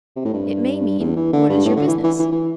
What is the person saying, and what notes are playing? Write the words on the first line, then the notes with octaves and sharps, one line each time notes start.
It may mean: What is your business?
C3
A2
G2
E2
E3
D3
G2
A2
D3
E3
E3
E3
E3